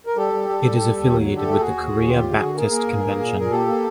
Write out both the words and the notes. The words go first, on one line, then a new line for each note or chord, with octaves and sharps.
It is affiliated with the Korea Baptist Convention.
A#4
G3 G4 A4
G3
G3
G3
G3
D#2
F#3
D3
G4 A4
A3
D#2 F#4 G#4
D#2
D#2
D3 F4 G4
D3
F#4 G#4
D3
A#3 G#4 A#4
A#3
G2
A#3
A#2
A#2 A#4
A#3 G4 A4
A#3